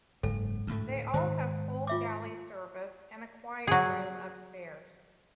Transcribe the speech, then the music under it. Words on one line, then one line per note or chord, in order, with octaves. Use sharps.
They all have full galley service and a "quiet room" upstairs.
F#1 G#2 A4
D2 A2 A3
G#2 D#3 C5
F4 E5 D6
F#3 G#4